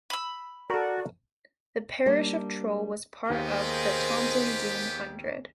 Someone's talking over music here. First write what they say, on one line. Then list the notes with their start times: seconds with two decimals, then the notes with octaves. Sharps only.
The parish of Trull was part of the Taunton Deane Hundred.
0.10 B5 E6
0.70 F#4 A4 A#4 D5
2.06 G3 A#3 D4
3.30 D#2 B3 G4 G#4 A#4 C5 D#5